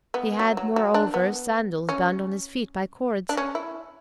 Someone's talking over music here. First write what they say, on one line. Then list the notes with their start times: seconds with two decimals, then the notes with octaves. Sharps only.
He had, moreover, sandals bound on his feet by cords.
0.14 B3
0.39 F#3
0.57 F#3
0.76 F#3
0.94 D4
1.14 B3
1.89 C#4
3.29 D4
3.37 C#4
3.55 E4